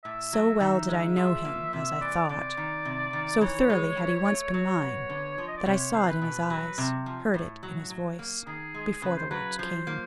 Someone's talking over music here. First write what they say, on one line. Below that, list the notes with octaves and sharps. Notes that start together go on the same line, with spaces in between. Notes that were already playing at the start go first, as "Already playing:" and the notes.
So well did I know him, as I thought, so thoroughly had he once been mine, that I saw it in his eyes, heard it in his voice, before the words came.
A2 E5
F#3
D#3 E5
G#3
F3 E5
A#3
C3 E5
E3 D5
C3 D5
D#3
C3
D#3
E3 C#5
G#3
E3
A3
F#3 C#5
B3
D3
F3
D#5
D5
C3 C#5
C#5
E3 C5
B4
B2
F#3
C3
F3
A2
F#3
F#3
A#3
D#3 G#4
G#3
C#3 B4
C5
F#3 B4
F3 C5
A#3